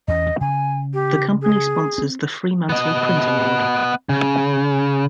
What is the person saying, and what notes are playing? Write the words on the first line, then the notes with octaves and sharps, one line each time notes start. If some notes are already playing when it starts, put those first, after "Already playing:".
The Company sponsors the Fremantle Print Award.
E2 E3 C#4 D#5
C#3 G#5
G4
G#4
C4
B3 D#5
C#3